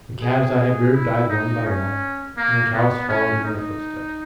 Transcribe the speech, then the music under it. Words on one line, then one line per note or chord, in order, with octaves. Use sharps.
The calves I had reared died one by one, and the cows followed in their footsteps.
G#4
G#4
E4
D#4
C#4
A#3
B3
C#4
D#4